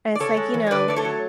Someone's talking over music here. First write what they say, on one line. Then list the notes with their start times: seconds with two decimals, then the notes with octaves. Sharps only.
and it's, like you know,
0.15 D5
0.20 C#3 A4 C#5
0.37 G#3
0.54 E3
0.67 C#5
0.71 D3 B4 D5
0.88 A3 D5
0.96 A4 C#5
1.05 F#3